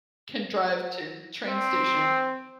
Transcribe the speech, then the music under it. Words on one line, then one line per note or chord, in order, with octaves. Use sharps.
can drive to the train station
C4